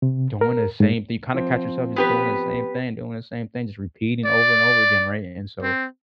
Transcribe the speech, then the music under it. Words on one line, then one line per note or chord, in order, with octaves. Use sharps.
doing the same thi you kinda catch yourself just doing the same thing, doing the same thing, just repeating over and over again, right? And so,
C3
A#4
G#2
F3 C4
B3 G4 B4
D5
C4